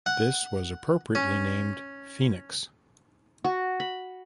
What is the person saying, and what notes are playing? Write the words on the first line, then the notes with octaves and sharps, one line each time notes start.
This was appropriately named "Phoenix".
F#5
C#4
F#4
B5